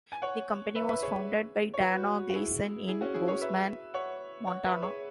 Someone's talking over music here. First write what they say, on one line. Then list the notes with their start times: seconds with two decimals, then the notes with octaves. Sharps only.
The company was founded by Dana Gleason in Bozeman, Montana.
0.12 G#5
0.22 C#5 F#5
0.75 B4 E5
0.89 B4 E5
1.02 G#4 C#5
1.74 C#5
1.81 F#4 B4
2.29 F#4
2.34 E4 G#4
2.87 E4 G#4
3.01 C#4 F#4
3.14 E4 G#4
3.28 G#4 C#5
3.41 B4 E5
3.94 C#5 F#5
4.47 C#5 F#5
4.66 B4 E5
4.82 G#4 C#5